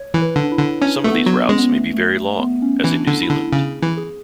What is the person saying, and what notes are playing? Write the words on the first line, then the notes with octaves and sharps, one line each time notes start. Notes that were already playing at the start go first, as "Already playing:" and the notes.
Some of these routes may be very long, as in New Zealand.
Already playing: C#5
E3
B4
D3
D4
E4
D3
C#4 D4
A3
B3
F#3
B3
G#3 C#4
B3
A3
A3
A3
B3
C#4
E3 E4
D4
D3
E4
D3
C#3 G#4
E3
G#4